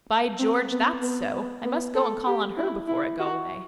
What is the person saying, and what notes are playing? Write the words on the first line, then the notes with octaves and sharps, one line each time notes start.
"By George, that's so, I must go and call on her before I go away."
C4
B3
B3
B3
B3
A4
G4
E4
E4
F#4